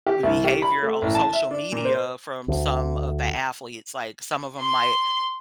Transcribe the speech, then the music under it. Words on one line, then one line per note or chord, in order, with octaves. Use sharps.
behavior on social media from some of the athletes? Like, some of them might
G4
C2
G4
B5
A3
A1
A5
E5
D4
A#2
C5
D2
C6